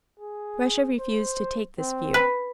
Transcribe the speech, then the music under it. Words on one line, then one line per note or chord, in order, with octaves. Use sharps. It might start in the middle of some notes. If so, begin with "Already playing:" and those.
Russia refused to take this view.
G#4
C5
C4
B4